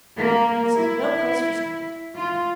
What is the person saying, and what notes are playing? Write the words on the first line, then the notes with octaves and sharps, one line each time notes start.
This is no place for sentiment.
A#3
E4
F4